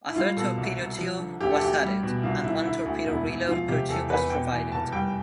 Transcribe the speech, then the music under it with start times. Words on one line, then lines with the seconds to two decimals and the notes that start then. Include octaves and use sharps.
A third torpedo tube was added, and one torpedo reload per tube was provided.
0.08 E4
0.16 G3 F4
0.37 B2 A4
0.57 C2
0.78 C2
0.99 F3
1.19 D3
1.41 D2 G4
1.51 A4
1.61 D2 G4
1.82 G3
2.03 B2
2.23 C2 F4
2.44 C2 E4
2.65 D3 E4
2.86 D2
3.06 E1 E4
3.28 E1
3.48 F3 F4
3.69 C3 G4
3.89 E2 A4
4.09 E2 B4
4.30 B2 G5
4.51 E2
4.72 F1 A5
4.92 G3 G5